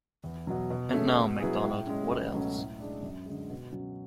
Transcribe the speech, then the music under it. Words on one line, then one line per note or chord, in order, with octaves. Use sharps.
And now, Mcdonald, what else?
E2
B2 F#3
B2
A3 C#4 G#4
B2
F#3 B3 E4 G#4
A2
G#3 C#4
C#2
B2 F#3 A3 C#4
A2
G#3 D4
F#2
D3 G#3
B2
F#3 C#4 F#4